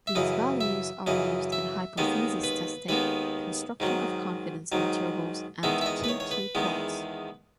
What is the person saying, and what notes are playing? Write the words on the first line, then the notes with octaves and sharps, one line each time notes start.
These values are used in hypothesis testing, construction of confidence intervals and Q-Q plots.
E5
F#2 C#3 E3 D#5
E5
F#2 C#3 E3 D#5
E5
D#2 D#3 G#3 B3 D#5
B4
D#2 D#3 G#3 B3 B4
G#2 D#3 F#3
G#2 D#3 F#3
E2 D#3 G#3 B3 E5
E5
D#5
B4
C#5
C#5
B4
E2 D#3 G#3 B3